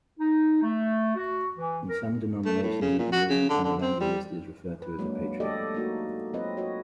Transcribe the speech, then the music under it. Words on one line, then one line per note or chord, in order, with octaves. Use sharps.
In some denominations of the movement, an evangelist is referred to as a patriarch.
D#4
A3
F#4
E3
A#4
A3
A2
C#3
A#2
F#4
C#3
D3
D3
C4
G3
B4
F#3 G#3 A#3 D4
A3 G4 A4 D5 D#5
A#3 D#4 F#4
F#3 C4 F4 B4 D#5
F#4 C#5 D#5